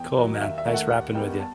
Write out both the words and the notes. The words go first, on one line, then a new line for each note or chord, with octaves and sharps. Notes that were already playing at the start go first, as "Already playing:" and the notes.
Cool, man. Nice rapping with you.
Already playing: E2 G5
D#3 F#3
D#5
D#2 E5
E5
D#3 A3
F#5
D#2 F#5
D#3 G3 B3 G5
A5